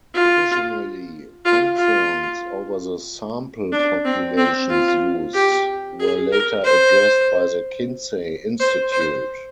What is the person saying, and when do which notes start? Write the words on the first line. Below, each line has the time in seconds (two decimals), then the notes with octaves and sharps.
Additionally, concerns over the sample populations used were later addressed by the Kinsey Institute.
0.15 F4
1.45 F4
1.77 F4
3.72 D4
4.05 C4
4.37 C4
4.70 F4
5.35 G4
6.00 G#4
6.32 A#4
6.65 C5
8.60 C5
8.92 C5